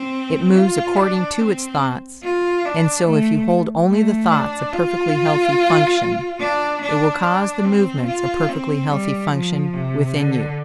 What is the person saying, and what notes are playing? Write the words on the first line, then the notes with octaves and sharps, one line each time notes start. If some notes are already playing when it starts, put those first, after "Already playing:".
It moves according to its thoughts; and so if you hold only the thoughts of perfectly healthy function, it will cause the movements of perfectly healthy function within you.
Already playing: C4
F4
D4
C4
F4
D4
A3
A3
D4
F4
D4
D4
D4
C4
F4
C4
G3
F3
C3
D3